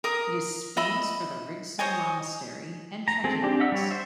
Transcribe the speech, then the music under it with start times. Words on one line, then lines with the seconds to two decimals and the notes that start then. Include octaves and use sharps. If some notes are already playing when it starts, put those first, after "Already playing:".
It is famous for the Rigsum Monastery and trekking routes.
0.04 A#4 D#6
0.77 D#5 E5 B5
1.79 C5 C#5 D#5 G#5
3.08 A#5
3.24 G#3 C4 G#4 A4
3.43 C4 D4 G4
3.60 D#5 E5 F#5 E6
3.72 G3 C#5
3.91 C5 E5